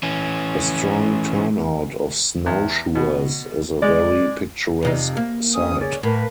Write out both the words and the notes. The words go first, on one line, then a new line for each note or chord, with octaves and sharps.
A strong turnout of snow-shoers is a very picturesque sight.
E3 C#4
E2
B2
G#3 D5
F2 C3 D#4
A#3
C3 C#4 D#6
C#4 G#4 D5
A2 A#3 A#4 B4